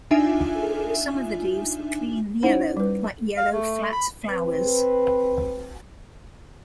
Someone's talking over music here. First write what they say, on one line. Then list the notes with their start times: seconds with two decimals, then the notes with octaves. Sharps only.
Some of the leaves were clean yellow, like yellow flat flowers.
0.11 D4 D#4 F4 E5 G#5
2.43 C#4 D#4 E4 C5 F#5
2.77 G3 B4
3.37 F5
3.52 A3
3.92 B5
4.29 C4 B4